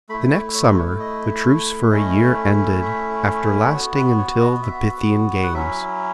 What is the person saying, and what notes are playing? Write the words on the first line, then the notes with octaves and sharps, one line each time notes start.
The next summer the truce for a year ended, after lasting until the Pythian games.
A3 E4 B5
C#5
C#5
C#5
D#5
A3 C#4 E4 D#5
E5
B3 F#4 C#5
B4
C#5
D#5
E5
F#5
F#3 C#4 E4 E5